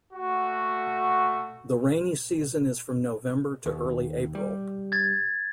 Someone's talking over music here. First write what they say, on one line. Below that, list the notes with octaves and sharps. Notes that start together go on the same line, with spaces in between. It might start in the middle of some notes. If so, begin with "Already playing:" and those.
The rainy season is from November to early April.
A3 F#4
D#2
G3
G#6 A6